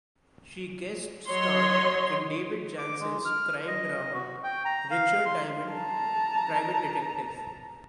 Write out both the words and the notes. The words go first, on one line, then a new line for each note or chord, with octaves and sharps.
She guest-starred in David Janssen's crime drama "Richard Diamond, Private Detective".
F#3 C#5 D#5 C6
D6
G#3
F6
D#5
F#4
G5
A#5
F5
C6
A5 A#5